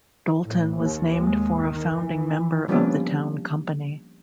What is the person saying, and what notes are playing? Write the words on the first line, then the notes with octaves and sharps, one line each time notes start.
Dolton was named for a founding member of the town company.
A2
D#2
G#3
D#3
E3
F3 G3 A#3 B3 C#4 D4